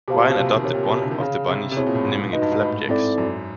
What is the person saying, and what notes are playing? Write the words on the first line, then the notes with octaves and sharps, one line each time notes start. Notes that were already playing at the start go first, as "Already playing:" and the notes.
Ryan adopted one of the bunnies, naming it Flapjacks.
B2 G4 C5 F5 A5
A#2
B2
C3
B2
D#3
C3 G4 A#4 C#5
A#2
B2
C3
D3
D#3
C#3 G#4 C#5 F5
C3
C3
B2 C4 E4 G#4 C#5
A#2
A2
G#2
G#2 D#4 F#4 B4 D#5
G2
G#2
A2
G#2 C4 E4 A4 D5
F#2